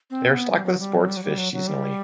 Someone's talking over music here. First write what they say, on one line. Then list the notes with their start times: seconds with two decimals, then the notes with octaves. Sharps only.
They are stocked with sports fish seasonally.
0.10 C4
0.30 B3
0.50 G3
0.65 F#3
0.79 G3
0.94 F#3
1.08 G3
1.17 F#3
1.23 G3
1.38 F#3
1.53 F#3
1.68 G3